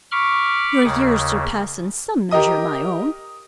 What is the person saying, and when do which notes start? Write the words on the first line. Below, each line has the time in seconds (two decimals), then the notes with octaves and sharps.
Your years surpass in some measure my own.
0.12 B5 C#6 D6 F6
0.84 D#2 C#3
2.31 G4 A#4 D#5 D#6